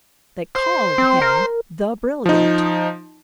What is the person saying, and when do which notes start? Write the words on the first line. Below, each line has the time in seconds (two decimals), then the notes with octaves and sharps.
They called him THE BRILLIANT.
0.55 C5
0.98 C4
1.22 A#4
2.26 F3 D#4